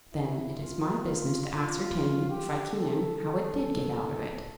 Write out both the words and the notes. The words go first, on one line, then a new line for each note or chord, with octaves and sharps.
Then it is my business to ascertain, if I can, how it did get out of it.
E4
F4
F4
G4
A4
A4